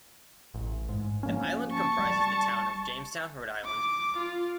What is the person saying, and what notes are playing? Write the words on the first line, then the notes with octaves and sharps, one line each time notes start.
The island comprises the town of Jamestown, Rhode Island.
A1
G#2
F3 A#3 C#4
A5 C#6
G3
D6
F4